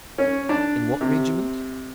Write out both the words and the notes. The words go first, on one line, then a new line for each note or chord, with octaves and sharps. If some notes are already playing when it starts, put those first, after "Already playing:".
In what regiment?
C#4
D4
C3